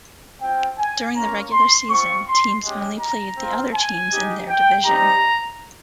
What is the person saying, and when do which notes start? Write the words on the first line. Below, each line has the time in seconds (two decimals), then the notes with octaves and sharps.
During the regular season, teams only played the other teams in their division.
0.42 C4 F4 G5
0.79 G#5
1.16 A#3 C#4 F4 A#5
1.53 C6
1.90 C4 F4 C#6
2.27 C6
2.64 G#3 C#4 G4
3.00 A#5
3.38 C4 F4
3.75 G#5
4.12 G#3 D#4 G4
4.49 G5
4.86 G3 C4 D#4 G4 A#5